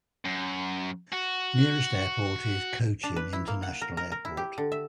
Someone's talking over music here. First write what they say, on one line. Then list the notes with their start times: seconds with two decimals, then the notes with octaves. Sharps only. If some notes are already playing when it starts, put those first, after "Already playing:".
Nearest airport is Cochin International Airport.
0.25 F#2
1.13 F#4
3.03 D4
3.16 B4
3.33 E4
3.48 A#3
3.63 F#5
3.81 A#4
3.97 A#4
4.12 A#4
4.25 E4
4.37 G4
4.58 D3
4.72 E5